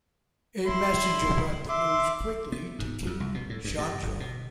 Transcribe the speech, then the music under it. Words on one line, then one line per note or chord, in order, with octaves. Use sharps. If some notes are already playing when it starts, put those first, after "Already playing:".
A messenger brought the news quickly to King Seonjo.
E4 C6
E5 C6 D6
B3
G#2
F2
C2
B2
A2
G2
G2
G1
B2